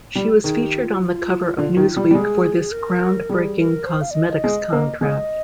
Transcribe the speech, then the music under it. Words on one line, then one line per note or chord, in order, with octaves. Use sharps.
She was featured on the cover of Newsweek for this ground-breaking cosmetics contract.
G3
D#3 G#4
G4
F4
F4
D3 F4
D#3
G3
G3
G#3 G#4
A#4
G3 G#4
A#4
C5
F5
D5
D#5
D#5
G#3
A#3
G#3 D#5